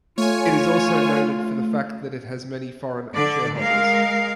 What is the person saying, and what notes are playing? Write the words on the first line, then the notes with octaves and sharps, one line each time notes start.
It is also noted for the fact that it has many foreign shareholders.
A3 F4 C#5 G#5
D3 D5
G#3 A#4 F5